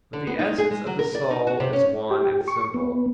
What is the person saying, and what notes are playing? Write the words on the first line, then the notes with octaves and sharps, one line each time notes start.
But the essence of the soul is one and simple.
D3
B3
D#4
G#4
G#3
F#3
A#4
D5
D#4
F#4
C3
C#4
G4
C#6
B3